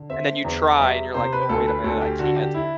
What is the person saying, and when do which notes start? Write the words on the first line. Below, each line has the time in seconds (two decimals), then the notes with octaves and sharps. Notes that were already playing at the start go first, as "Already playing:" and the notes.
and then you try, and you're like, "Oh, wait a minute. I can't."
Already playing: D3
0.10 C4 E5
0.45 E2
0.80 G3 E5
1.14 C3 C5
1.33 B4
1.49 D2 A4
1.67 B4
1.84 D2 A4
2.01 G4
2.19 D3 F#4
2.36 G4
2.54 E4